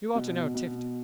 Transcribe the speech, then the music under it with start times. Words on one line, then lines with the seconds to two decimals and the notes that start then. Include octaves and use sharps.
You ought to know Tifto.
0.15 B2
0.55 B2